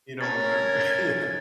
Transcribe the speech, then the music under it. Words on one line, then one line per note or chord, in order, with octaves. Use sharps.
you don't remember, yeah.
C#4 A#4 A5 G#6 A6